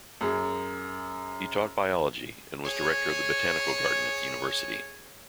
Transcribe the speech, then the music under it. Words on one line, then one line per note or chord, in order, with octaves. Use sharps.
He taught biology and was director of the botanical garden at the university.
F#2 G#4
G#4 C#5